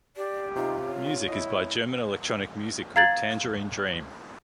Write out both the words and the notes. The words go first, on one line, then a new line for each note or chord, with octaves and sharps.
Music is by German electronic music group Tangerine Dream.
G4 D5
C3 D#4 F4
C#5
E4 D#5
F5 A#5 G#6 A6 F#7